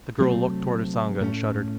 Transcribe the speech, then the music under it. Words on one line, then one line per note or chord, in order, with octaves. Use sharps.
The girl looked toward Usanga and shuddered.
C3 F#3 A3 C4
A2 A3 C#4